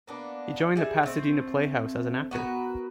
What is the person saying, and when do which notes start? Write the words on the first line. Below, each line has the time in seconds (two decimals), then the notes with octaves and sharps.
He joined the Pasadena Playhouse as an actor.
0.07 A#3 B3 D4
0.76 G3 G#4 E5
1.03 A3 C4
2.31 B3 F#4 A#4 B4